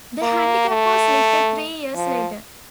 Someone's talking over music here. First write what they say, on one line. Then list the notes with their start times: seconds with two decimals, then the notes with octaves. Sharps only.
The handicap was lifted three years later.
0.22 A#3
0.69 A3
1.95 F3